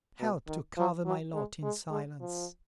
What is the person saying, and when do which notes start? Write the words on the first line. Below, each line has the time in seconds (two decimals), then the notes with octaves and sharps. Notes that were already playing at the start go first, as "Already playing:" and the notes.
Help to cover my lot in silence.
0.20 B2
0.48 D#3
0.77 F3
1.05 F#3
1.34 G#3
1.63 G#3
1.90 G#3
2.20 F3